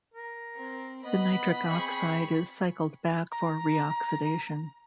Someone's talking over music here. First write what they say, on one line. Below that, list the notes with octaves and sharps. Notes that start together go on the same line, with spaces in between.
The nitric oxide is cycled back for reoxidation.
A#4
C4
B3 D#5 B5
C4 G#4 C#6
A#5